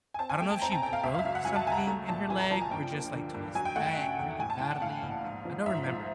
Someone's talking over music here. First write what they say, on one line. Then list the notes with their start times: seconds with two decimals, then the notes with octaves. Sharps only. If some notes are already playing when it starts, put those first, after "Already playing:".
I don't know if she broke something in her leg or, just, like, twisted it really badly, I don't remember,
0.14 G#5
0.19 C4 A5
0.29 G#5
0.40 A3 G5
0.51 A5
0.62 C4 A#5
0.72 A5
0.82 C4 G5
0.93 F5
1.03 C#2 E5
1.14 F5
1.19 E5
1.25 F#3 F5
1.35 F#5
1.45 F#3 G#5
1.56 A5
1.67 C#2 G#5 A#5
1.77 A5
1.87 A3
2.08 A#2 A5
2.30 F3 G#5
2.40 A#5
2.51 F3 A5
2.61 G#5
2.71 G2 G5
2.92 A#3
3.13 D3
3.35 G2
3.55 F#3 G#5
3.65 G5
3.76 A3 F#5
3.86 G5
3.97 C#3
4.19 E2
4.40 A2 G#5
4.50 A5
4.60 A2 G5
4.71 F#5
4.81 A2 F5
5.03 A#1
5.24 G#2
5.45 F3
5.66 G#2 E5
5.86 F3